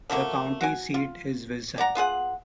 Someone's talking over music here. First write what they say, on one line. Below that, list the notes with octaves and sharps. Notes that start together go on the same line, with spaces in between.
The county seat is Wilson.
F3 F#3 A3 A#3
F#4 G#5
F4
D5 F#5 A#5
B3 F4 G#4 F#5